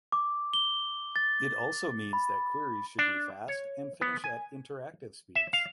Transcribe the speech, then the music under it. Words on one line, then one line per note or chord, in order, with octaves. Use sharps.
It also means that queries should be fast and finish at interactive speeds.
D6
G7
A6
B5
D4
C#5
B3
G#5
E5
F5